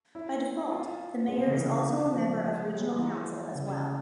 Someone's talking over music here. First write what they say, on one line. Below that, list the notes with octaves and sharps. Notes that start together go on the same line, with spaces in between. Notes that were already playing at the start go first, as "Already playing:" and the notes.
By default the mayor is also a member of Regional Council as well.
E4
F4
G#3
C3
C#3
E3
F3
G3
G#3
A#3
E3
C#3